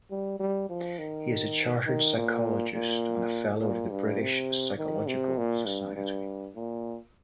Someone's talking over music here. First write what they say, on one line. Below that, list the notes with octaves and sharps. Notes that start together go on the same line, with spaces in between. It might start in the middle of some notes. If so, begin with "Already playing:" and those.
He is a Chartered Psychologist and a Fellow of the British Psychological Society.
G3
G3
F3
D#3
D#3
A#2
A#2
A#2
G2
C3
D#3
C3
A#2
G2
G2
A#2